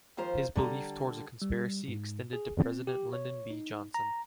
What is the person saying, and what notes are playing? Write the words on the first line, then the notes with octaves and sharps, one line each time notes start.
His belief towards a conspiracy extended to President Lyndon B. Johnson.
D#2 F3 F4 C5 A#5
D3 G3 A#5
G3
G#2
G#4
C4
G4
C#5
D#4
A#5